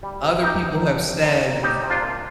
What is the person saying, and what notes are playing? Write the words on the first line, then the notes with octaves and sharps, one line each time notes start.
Other people have said, "Th
G3
C3
A#3 D#4 G4
D2
G3 D4
C3
A#3 C4 D#4
D2
G3 D#4 G4
C3
D4 F4
A#3